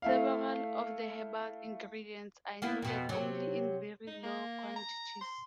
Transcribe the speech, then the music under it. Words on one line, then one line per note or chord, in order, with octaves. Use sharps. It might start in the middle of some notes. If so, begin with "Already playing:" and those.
Several of the herbal ingredients are included only in very low quantities.
A3 E4 F5
A#3 B3 E4
F2 B2
C3 F#3
D#4
A#3
A#5
C6